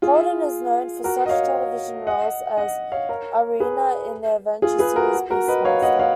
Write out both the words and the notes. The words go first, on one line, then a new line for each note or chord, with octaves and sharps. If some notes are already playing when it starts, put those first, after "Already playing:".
Holden is known for such television roles as Arina in the adventure series "BeastMaster".
F4 G#4
F#4 A#4
D#5
C#5 F5
D#5 F#5
D#5 F#5
C#5 F5
A#4 C#5
G#4 B4
F4 G#4
G#4 B4
F#4 A#4
F#4
F#4 A#4
B4 D#5
C#5 F5
D#5 F#5
C#5 F5